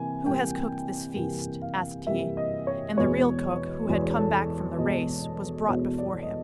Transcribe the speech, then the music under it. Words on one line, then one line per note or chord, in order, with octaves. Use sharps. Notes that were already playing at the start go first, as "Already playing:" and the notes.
'Who has cooked this feast?' asked he, and the real cook, who had come back from the race, was brought before him.
Already playing: C3 E3 A#3 G#5
C3 E3 G3 A#3 G5
C3 E3 G3 A#3
F5
C3 E3 G3 A#3 E5
D#5
C#5
E2 B2 G#3 B3 C#5
E2 B2 G#3 B3
A4
E2 B2 G#3 B3 D#5
E2 B2 G#3 B3 C#5
D5
D#5